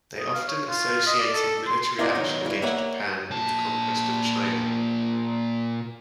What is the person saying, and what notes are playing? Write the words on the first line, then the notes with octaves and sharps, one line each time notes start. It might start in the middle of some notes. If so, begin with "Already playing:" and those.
They often associated military action against Japan with the conquest of China.
D#6
F5
C#5
F4
D#5
D5
A4
C6
E4 F4 A#4 D5 D#5 F#5
B1 D#3 F#3 D#4
G2 E3
A#3 C#5 E5 F#5
A#2 A5